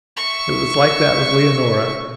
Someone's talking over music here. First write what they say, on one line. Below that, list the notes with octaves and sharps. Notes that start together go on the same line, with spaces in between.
It was like that with Leonora.
E5 C#6